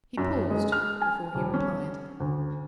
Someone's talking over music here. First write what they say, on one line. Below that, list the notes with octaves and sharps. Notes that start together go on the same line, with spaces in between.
He paused before he replied.
F#2
G#3
F6
G#5
D#1
C#4
D2